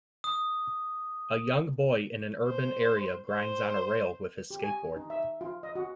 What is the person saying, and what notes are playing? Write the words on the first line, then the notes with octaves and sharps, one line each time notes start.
A young boy in an urban area grinds on a rail with his skateboard.
D#6
C5
C5
G4
G#5
D#4
E5
F4
D#5
F#4